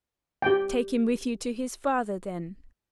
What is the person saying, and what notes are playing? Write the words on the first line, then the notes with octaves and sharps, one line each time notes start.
"Take him with you to his father then."
G4 G5